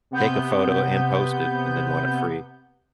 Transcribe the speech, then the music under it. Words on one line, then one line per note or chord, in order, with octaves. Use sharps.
Take a photo and post it, and then want it free.
C3 B3 G6